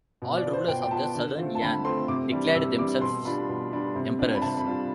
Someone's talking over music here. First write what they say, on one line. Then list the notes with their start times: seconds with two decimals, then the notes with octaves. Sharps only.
All rulers of the Southern Yan declared themselves "emperors".
0.22 B2
0.37 D5
0.45 B3 F4
0.53 C5
0.68 B2 G5
0.82 G5
0.91 B3 F4 A5
1.15 D3
1.38 A3 C4 F4
1.55 A5
1.62 D3 B5
1.85 A3 C4 F4 C6
2.08 C3 D6
2.31 E3 G3 D4
2.55 C3 E6
2.78 E3 G3 D4 D6
3.01 B2 C6
3.25 G3 D4 F4 B5
3.49 B2
3.71 G3 D4 F4
3.95 C3
4.19 G3 D4 F4
4.35 B5
4.42 C3 A5
4.57 B5
4.65 G3 D4 F4